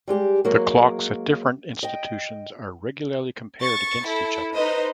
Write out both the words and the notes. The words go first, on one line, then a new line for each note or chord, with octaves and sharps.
The clocks at different institutions are regularly compared against each other.
G3 G#3 G4
F#3 G#3 A#3
D#5 G5
C#6 A6
E4 A4
D#4 B4 C5 D#5